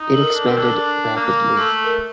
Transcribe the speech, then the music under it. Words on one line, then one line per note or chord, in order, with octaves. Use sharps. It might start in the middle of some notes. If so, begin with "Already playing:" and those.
It expanded rapidly.
Already playing: D#4
A4
A#4
D4
C4 A#4
D4 A4
A#4
D4
A#3
A3 A4
A#4